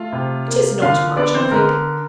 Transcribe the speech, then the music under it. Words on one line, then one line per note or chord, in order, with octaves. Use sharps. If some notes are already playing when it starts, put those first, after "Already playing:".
'It is not much, I think.
Already playing: A3 F4 F5
C3
A#3
D3 F4 F5
B3 D4 D5
C4 C5
D3 A#4